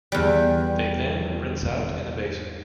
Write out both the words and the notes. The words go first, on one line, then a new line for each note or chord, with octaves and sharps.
They then rinse out in a basin.
E2 G3